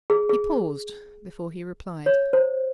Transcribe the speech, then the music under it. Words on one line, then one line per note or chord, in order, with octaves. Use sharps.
He paused before he replied.
G#4
G#4
C#5
C5